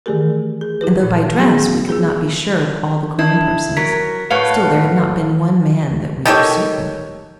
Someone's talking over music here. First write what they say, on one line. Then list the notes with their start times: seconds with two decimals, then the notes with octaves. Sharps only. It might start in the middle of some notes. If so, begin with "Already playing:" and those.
And though by dress we could not be sure of all the grown persons, still there had not been one man that we were certain of.
0.06 D#3 E3 A3 G4 G#4 A#4
0.61 G#4
0.81 E4 G4 B4
1.03 A#2
1.38 F#3 A3 B3 C#4 F#4 G#4
1.89 F4 G#4
3.19 D4 E4
3.77 F#3 A#4 B6
4.30 A2 A3 B4 C#5 F5 F#5
6.25 D#3 G4 A4 C#5